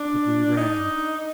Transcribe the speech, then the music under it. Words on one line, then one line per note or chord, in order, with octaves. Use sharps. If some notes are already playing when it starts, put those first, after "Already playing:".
But we ran.
Already playing: D4
D#4